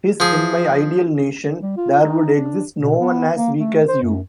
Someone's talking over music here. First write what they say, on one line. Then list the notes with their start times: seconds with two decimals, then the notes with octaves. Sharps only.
His In my ideal nation, there would exist no one as weak as you!
0.20 F3 G#4
1.62 G3
1.77 F4
2.01 D#4
2.34 D4
2.80 B2
3.00 B3
3.35 A#3
3.59 A3
3.88 C5
4.03 F#2